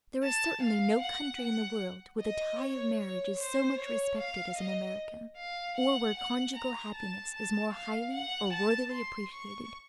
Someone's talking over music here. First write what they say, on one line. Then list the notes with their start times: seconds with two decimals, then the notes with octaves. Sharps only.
There is certainly no country in the world where the tie of marriage is so much respected as in America, or where conjugal happiness is more highly or worthily appreciated.
0.23 A5
0.62 F5
1.01 F#5
1.41 F#5
2.20 D#5
2.59 C#5
3.00 C#5
3.39 C5
3.79 C#5
4.18 F5
4.57 D#5
5.36 F5
5.77 F#5
6.16 F#5
6.56 A#5
6.94 A5
7.34 A5
7.73 F5
8.13 F#5
8.53 A5
8.92 C6
9.32 C#6